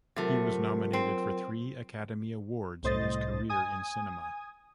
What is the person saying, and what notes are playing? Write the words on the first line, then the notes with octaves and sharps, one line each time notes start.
He was nominated for three Academy Awards in his career in cinema.
C3 F#3 A3 F4 A#4
C4
C2 A2 C5 D#5 A6
G#5 D#6